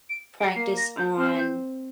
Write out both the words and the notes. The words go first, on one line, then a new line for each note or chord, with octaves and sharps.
practice on
D7
D7
A#3 C7
A#6
G6
C4 F6
G6